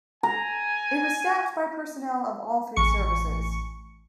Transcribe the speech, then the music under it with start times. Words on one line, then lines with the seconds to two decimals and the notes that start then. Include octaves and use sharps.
It was staffed by personnel of all three services.
0.23 G#5 A#5
2.76 A1 C#6 C#7